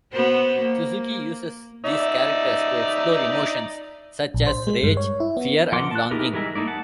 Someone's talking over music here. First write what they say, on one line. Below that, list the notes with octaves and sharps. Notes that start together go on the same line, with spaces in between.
Suzuki uses these characters to explore emotions such as rage, fear and longing.
B3 F#4 C5
A#3
D#4 D5 E5
A#1
C5
G#3
G2
C#5
E4
B3
F3 A#4 F#5 C6 D6
A5 F#6
D#4 E4 G4 G#4 A#4
E3 G3 G#3 A#4 E5
A3 A#3 D#4 E4 D5
F#5 A5